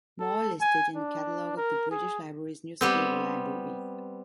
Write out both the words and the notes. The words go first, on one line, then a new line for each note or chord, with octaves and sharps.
More are listed in the catalogue of the British Library's Newspaper Library.
A4
G#5
D4
A#4
G#4
G3 B3 C4